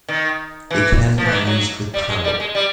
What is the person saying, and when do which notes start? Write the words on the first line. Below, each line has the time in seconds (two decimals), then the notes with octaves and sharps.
They can be used with power.
0.08 D#3
0.71 E3
1.18 F3
1.25 E3
1.32 D#3
1.47 F#3
1.94 G3
2.09 G#3
2.24 G3
2.40 G#3
2.55 G3